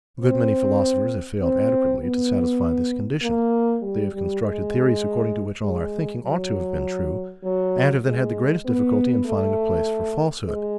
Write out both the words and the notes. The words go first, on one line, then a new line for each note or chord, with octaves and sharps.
A good many philosophers have failed adequately to satisfy this condition: they have constructed theories according to which all our thinking ought to have been true, and have then had the greatest difficulty in finding a place for falsehood.
C4
C4
B3
A#3
G3
G3
G#3
G#3
F#3
F#3
G#3
B3
A3
G#3